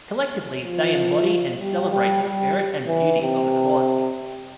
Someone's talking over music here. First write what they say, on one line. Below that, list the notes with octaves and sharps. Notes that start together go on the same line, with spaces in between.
Collectively, they embody and celebrate the spirit and beauty of equality.
F3
G3
G3
G3
E3
C3